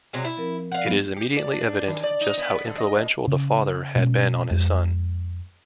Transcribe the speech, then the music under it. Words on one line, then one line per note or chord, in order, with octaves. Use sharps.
It is immediately evident just how influential the father had been on his son.
C3 F#3 G#3
E4
F3 C4 A#4
F5 F#5
F3 F#3 B3
G4
D5
D4
D#3
D5
D#4
B3
D3
D#5
A#2
C#3
B2 G#3 C#4
F2 G#3